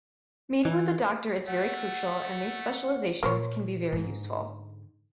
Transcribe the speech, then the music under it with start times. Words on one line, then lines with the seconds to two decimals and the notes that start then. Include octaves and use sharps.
Meeting with a doctor is very crucial and these specializations can be very useful.
0.65 E3
1.48 A3 F#5
3.23 A#2 A#3 A#4 C5 C#5
3.92 G#2 D3